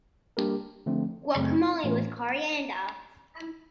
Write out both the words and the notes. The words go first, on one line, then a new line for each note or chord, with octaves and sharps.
Guacamole with coriander.
G3 A#3 D4 G4 A#4
D3 F3 A3 C4
F#2 C#3 F#3 A3 C4
A2 E3 A3 C#4 F4